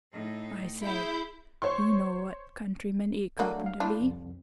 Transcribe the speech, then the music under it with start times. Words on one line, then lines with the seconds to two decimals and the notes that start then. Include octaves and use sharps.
"I say! you know what countryman 'e carpenter be?"
0.12 A2 D#4
0.84 E4 G#4 G6
1.62 C5 C#5 C6 C#6
3.39 F#3 A3 A#3 D4 F#4
3.66 F5
3.80 A#3 D4 E4 F4 A5
4.00 C2 F2